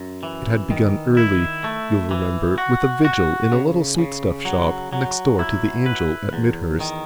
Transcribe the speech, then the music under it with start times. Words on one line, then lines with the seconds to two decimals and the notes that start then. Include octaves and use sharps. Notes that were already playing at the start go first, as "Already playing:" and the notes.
It had begun early, you will remember, with a vigil in a little sweetstuff shop next door to the Angel at Midhurst.
Already playing: F#2
0.23 E3
0.71 D#3
1.17 E4
1.64 A3
2.11 E3
2.58 F#4
3.05 F#4
3.52 C#3
3.98 C#3
4.45 F#3
4.93 F#3
5.39 E4
5.86 B4
6.33 E2
6.80 D#3